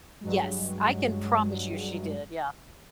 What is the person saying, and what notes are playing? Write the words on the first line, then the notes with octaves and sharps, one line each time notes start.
Yes, I can promise you she did, yeah.
G2 F#3 G#3